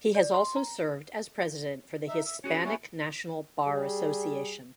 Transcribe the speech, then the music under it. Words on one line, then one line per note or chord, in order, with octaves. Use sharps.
He has also served as president for the Hispanic National Bar Association.
D5
C6
A#5
D#4 E5
E5
C#4 F#4 G#4 C#5
A#3 B3 C#4 E4 G4 C#5
G3 G#4